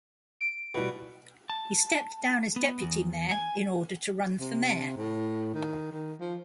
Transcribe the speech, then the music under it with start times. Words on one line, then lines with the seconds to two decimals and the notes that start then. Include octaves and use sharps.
He stepped down as deputy mayor in order to run for mayor.
0.41 D7
0.75 B2 G3 E4 B4
1.50 A5
2.56 B3
2.82 E2
3.31 G#5
4.40 C3
4.97 A2
5.54 D#3
5.91 D#3
6.20 F3